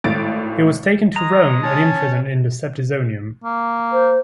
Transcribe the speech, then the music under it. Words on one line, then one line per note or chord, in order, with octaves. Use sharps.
He was taken to Rome and imprisoned in the Septizonium.
G#1 A2 A6 D7
G#3 A#5
C#4 A5
A#3
C5